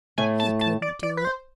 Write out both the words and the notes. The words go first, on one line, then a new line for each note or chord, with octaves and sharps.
He couldn't do it.
A2 A3 G#5
A5
A5
D5
D5
B4
C5